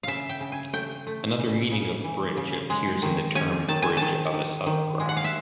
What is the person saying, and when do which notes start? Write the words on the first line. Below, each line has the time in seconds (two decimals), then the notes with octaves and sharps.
Another meaning of "bridge" appears in the term bridge of a subgraph.
0.03 C#3 E5 F5
0.29 G5
0.41 C#3
0.52 G#5
0.73 A3 G5
1.07 A3
1.39 C#3
1.72 C#3
2.04 E3
2.37 C#3
2.70 G#3
3.02 D#3
3.35 C#4 G#5
3.68 D#3 A5
3.82 G#5
3.97 D#3 A5
4.34 D#3
4.66 D#3
5.00 G#3
5.09 F#5
5.17 F5
5.24 E5